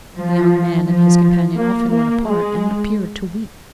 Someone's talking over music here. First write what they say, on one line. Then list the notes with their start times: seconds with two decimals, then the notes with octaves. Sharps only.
The young man and his companion often went apart and appeared to weep.
0.17 F3
0.87 F3
1.56 A#3
1.90 A#3
2.26 G#3